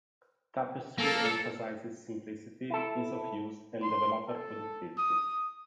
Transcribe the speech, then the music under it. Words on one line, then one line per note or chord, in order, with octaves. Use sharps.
Tapestry emphasizes simplicity, ease of use, and developer productivity.
A#3 A4
E4 A4
C6
A4
D#6